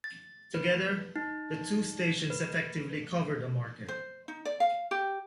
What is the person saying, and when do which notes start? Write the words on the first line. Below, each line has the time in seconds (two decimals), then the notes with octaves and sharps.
Together, the two stations effectively cover the market.
0.04 A6
0.54 B4
1.16 D#4
2.30 B4
3.88 C5
4.28 D#4
4.45 D5
4.60 F5
4.91 G4